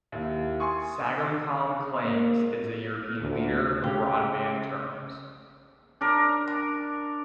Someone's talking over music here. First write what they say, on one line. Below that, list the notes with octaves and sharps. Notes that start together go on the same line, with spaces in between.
Sagemcom claims it is a European leader for broadband terminals.
D#2 E4
G#5 C6 C#6 D#6
A#3
D2
C#3 G#3 A3 C#4 G4 F5 G5
D4 A#4